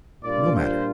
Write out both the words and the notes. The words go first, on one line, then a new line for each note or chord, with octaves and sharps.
No matter!
A#2 G3 D4 F4 D5
C5